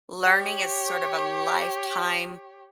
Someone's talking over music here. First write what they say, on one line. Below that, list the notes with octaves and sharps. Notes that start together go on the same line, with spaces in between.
learning is sort of a lifetime,
G4 C#5